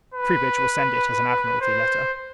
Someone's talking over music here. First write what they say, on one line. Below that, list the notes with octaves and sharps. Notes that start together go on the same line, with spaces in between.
Troubridge will send it, as an Admiralty letter.
B4
C5